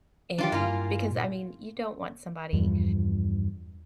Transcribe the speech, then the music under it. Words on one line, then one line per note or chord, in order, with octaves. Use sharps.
And because, I mean, you don't want somebody
D#3 F#3 D4 F4 G4
G2 A#3 E4 F4 G#5
A#2
E2 G2 F3